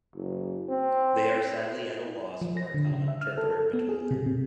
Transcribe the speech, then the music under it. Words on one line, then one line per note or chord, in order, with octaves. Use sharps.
They are sadly at a loss for a common interpreter between them.
F#1
C4
F3
A#6
D3
C#3
E5
F6
A4
A4
B3
G#4
C3
C3